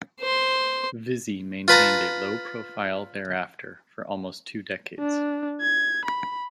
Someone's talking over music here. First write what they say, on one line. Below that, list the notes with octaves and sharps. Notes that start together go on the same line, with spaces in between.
Vizzy maintained a low profile thereafter for almost two decades.
C5 C6
F4 B4 A5 A#5
D4
G#6
B5